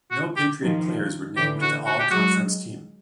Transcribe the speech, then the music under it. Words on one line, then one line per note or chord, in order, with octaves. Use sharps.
No Patriot players were named to the all conference team.
F#4
G4
D#3 F3
D3 E3 G4
F#4
F#4
G4
F#3 G#3 F#4